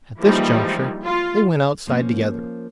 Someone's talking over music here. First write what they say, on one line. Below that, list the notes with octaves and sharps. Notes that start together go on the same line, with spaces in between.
At this juncture they went outside together.
E3 F3 G3 G#3 A#3 D#4
F4
F3 A#3 C#4